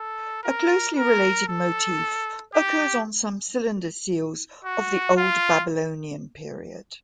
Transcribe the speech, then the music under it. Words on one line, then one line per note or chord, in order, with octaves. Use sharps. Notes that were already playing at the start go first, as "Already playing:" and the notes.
A closely related motif occurs on some cylinder seals of the Old Babylonian period.
Already playing: A4
A#4
A#4
A4
G4
F#4
F4